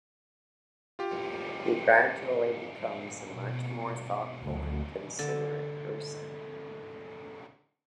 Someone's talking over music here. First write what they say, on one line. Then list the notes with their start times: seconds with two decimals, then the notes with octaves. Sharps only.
He gradually becomes a much more thoughtful and considerate person.
0.99 F4 G4
3.30 B2
4.42 D2 F#3
5.19 D3 A4